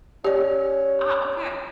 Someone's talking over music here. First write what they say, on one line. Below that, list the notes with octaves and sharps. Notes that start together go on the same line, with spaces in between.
Ah, okay.
C#4 G4 D5